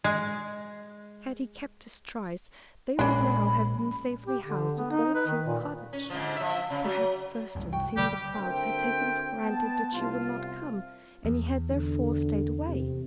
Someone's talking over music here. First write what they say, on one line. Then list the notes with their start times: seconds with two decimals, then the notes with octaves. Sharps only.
Had he kept his tryste they would now have been safely housed at Old Field Cottage. Perhaps Thurston, seeing the clouds, had taken for granted that she would not come, and he had therefore stayed away.
0.04 G#3
2.99 A#1 A#2 G#3 C#4 D4 B5
4.27 G4
4.44 D3
4.77 B3
4.91 D#4
5.15 B4
5.27 D#3
5.47 A#2
5.93 C#4
6.10 G#2 D3 F3
6.36 F3 E5
6.70 C#3
6.84 F#3
7.55 F1 C2 F#2
7.72 F#4 G5
7.97 F#1 B2 D3 G3 G4 B4
8.34 D2 C4 A#4 C5 E5 G5
9.42 B3 A5
9.93 C2 F4
11.25 E2
11.70 D3
12.68 C3